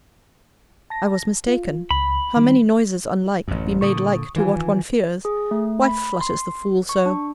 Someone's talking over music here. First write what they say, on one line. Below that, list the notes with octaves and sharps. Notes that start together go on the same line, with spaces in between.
I was mistaken!--How many noises unlike, be made like to what one fears!--Why flutters the fool so--!
A5 A#6
F4
C#2 B5
D#3 G3
A1 F#2
A#2 D3 C#6 D#6
D#3 E3 F4 G#5
G#4
A3
B5
C6
C#6
D4